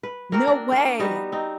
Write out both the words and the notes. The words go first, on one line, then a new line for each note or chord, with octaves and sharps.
No way!
B4
A#3 C4 F#4 A#4
D4
A#3
G3 B3 D#4 F#4
C4 D#4